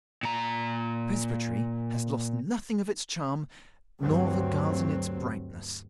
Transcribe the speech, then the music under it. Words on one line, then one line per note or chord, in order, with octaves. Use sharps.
"The presbytery has lost nothing of its charm, nor the garden its brightness."
A#2 A#5
D2 G2 F#3 C4